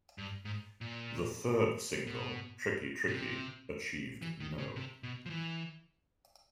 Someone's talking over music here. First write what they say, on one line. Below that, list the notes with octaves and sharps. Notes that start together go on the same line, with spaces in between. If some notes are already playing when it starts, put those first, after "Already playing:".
The third single, "Tricky, Tricky", achieved No.
G2
G#2
A#2
B2
B2
C3
E3
D#3
C#3
C3
B2
F3
E3